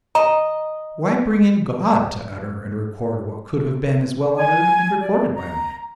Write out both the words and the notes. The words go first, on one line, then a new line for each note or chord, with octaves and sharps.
Why bring in God to utter and record what could have been as well uttered and recorded by man?
D#5 A#5
G#5
D5
A#5